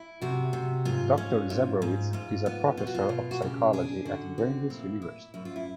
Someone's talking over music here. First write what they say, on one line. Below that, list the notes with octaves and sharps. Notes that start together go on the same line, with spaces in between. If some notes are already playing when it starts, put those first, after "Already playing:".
Doctor Zebrowitz is a professor of psychology at Brandeis University.
Already playing: E4
C3 F#4
C3
G#2 F4
C#4
G#2
G#2
G#2 F4
B3
B2 F4
F#4
F4
B2
F#4
C#3 G4
D4 G#4
D3 F#4
C4
A#2 E4
E4
F#2 E4
F4
E4